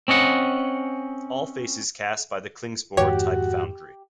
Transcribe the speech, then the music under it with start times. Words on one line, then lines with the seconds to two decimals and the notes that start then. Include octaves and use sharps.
All faces cast by the Klingspor Type Foundry.
0.08 C4 C#4 D#5 F#5
2.97 F2 G#2 D#3 F#4 G4 C#5